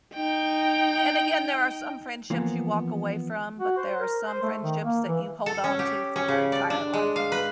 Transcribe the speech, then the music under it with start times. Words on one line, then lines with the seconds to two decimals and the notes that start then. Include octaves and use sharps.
and again, there are some friendships you walk away from, but there are some friendships that you hold on to for your entire life.
0.14 D#4 G5
2.30 E3 F3 A#3 B3
3.59 F#4
3.77 C5
3.99 A#4
4.27 C5
4.43 A3
4.62 D#3
4.82 A#3
5.06 E3
5.46 A4
5.64 C#4
5.79 G4
6.16 C#4
6.28 C#3
6.52 D5
6.70 D4
6.93 G#3
7.16 F5
7.32 B4